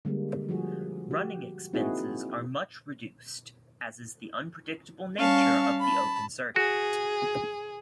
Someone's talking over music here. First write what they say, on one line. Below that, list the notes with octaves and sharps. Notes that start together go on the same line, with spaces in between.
Running expenses are much reduced, as is the unpredictable nature of the open circuit.
D3 G3 G#3 A#3
F3 G3 F#4 G#4
F#4 G4
A#3 C4 D#4 E4 F#4 G#4
G3 C#4 F5 A5 C#6
A5 B5
F#4 G#4